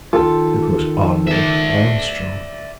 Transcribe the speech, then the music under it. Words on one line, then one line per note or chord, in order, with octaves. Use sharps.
It was Arnold Armstrong.
D#3 F4 G4 A4
D5 E5